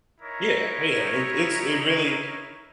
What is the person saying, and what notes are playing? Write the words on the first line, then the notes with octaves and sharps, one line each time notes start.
Yeah, yeah, it's it's it really
D#4 E4 A#4 C#5